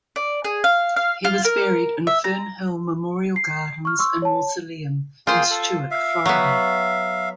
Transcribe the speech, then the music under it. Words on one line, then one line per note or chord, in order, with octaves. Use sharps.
He was buried in Fernhill Memorial Gardens and Mausoleum in Stuart, Florida.
D5
G#4
F5
F5
F4
A#4
E5
A#5
C7
C#6 F6
C6 C#6 E6
C#5 A5
A#3 F4 G#4 C5 G5
A4
E5 F5
F#3 B3